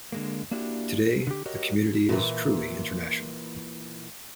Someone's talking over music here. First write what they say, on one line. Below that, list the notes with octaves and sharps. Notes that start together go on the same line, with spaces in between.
Today the community is truly international.
D3 G#3 A#3
A#3 D4 E4 F#4 G4
D3 G4
F#4 G4 A#4 C#5 D#5
A#2 E3